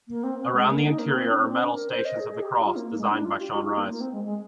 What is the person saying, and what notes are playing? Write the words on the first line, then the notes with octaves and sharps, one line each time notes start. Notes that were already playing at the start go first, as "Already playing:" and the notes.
Around the interior are metal Stations of the Cross, designed by Sean Rice.
A#3
C4
C4
G#3
A#3
D#4
A#3
C4
D4
C4
C4
D4
A#4
C5
D#5
G#4
G#4
G4
F4
A#3
A#3
G#3
D4
F4
G4
F4
D#4
A#3
A#3
C4
G#3
G#3